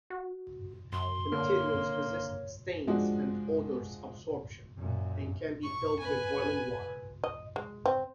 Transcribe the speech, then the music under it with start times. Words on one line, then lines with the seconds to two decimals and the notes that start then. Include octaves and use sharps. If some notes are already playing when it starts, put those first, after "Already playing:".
The materials resist stains and odors absorption, and can be filled with boiling water.
0.10 F#4
0.92 F#2 C6
1.32 D3 A#3 C#5
2.87 F3 G#3 D4 F#4
4.78 F#2 A#2
5.63 C#6
5.99 B4 G#5
7.24 D#5
7.56 G#3
7.86 C4